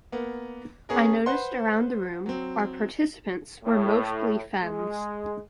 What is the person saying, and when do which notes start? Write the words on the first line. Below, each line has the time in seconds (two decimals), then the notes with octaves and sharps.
I noticed around the room our participants were mostly femmes.
0.12 A#3 B3
0.89 B3 C#4 G#4 A#4
1.26 B4 C5 F#5 C6
2.26 F#3 C4
3.64 A2
4.64 G#3